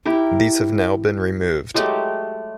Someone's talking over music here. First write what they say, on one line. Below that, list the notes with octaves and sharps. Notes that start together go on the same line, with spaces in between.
These have now been removed.
E4 G4 A#4
F#3 G#3 A3 G4